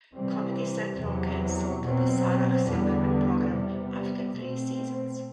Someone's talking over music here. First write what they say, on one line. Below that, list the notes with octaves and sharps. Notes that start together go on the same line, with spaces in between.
Comedy Central canceled "The Sarah Silverman Program" after three seasons.
C3 E3 G3 C4
E2 C3 F#3
B2 F#3 C4
E2 D3 G3 B3
C3 G3 B3
B2 A3 C4